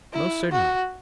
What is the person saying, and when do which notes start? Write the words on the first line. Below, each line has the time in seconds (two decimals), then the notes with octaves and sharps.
Most certainly.
0.13 E4
0.51 F#4